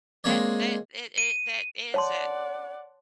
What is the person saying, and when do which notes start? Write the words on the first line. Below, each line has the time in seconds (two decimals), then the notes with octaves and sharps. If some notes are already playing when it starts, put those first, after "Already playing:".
That that it it that is that
0.24 G#3 A#3 C4 C#5 D5
1.18 D#7
1.94 C#5 D5 F#5 A5 C6